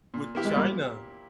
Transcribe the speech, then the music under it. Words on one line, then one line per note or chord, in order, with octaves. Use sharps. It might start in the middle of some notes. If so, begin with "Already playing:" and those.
with China,
A#2
A#3 E4 G4
G#3
A#2 G3 A#3